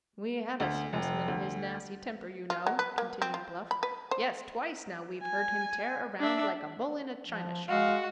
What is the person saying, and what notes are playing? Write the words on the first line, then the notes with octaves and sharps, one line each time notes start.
"We had a specimen of his nasty temper, you know," continued Bluff. "Yes, twice now we've heard him tear around like a bull in a china shop."
D2
F1
D2
F4
F#3
B4
A#3
C4
F4
B5
B4
C5
G#5
D4 E5
F3
G#3 F#4 F5